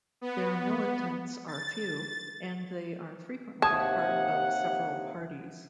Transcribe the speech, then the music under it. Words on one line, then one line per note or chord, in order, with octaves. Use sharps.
Their militants are few, and they are frequently part of several parties.
B3
A6
D#2 C3 F#5 A5 D#6 G#6